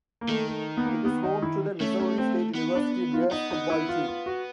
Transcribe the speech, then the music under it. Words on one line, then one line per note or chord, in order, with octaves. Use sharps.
It is home to the Missouri State University Bears football team.
A#3
D#3 A3
A3
B3
A#3
B3
D#4
E4
A3 C#4
C#4
C4
B3
D4
F4
B3 D#4
D#4
E4
F4
F4
F#4